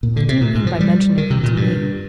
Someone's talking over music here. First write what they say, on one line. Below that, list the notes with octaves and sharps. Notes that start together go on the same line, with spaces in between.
"What do you mean by mentioning him to me?"
A#2
D3
C3
A#2
G#2
F3
G3
D#3
C3
A#2
G2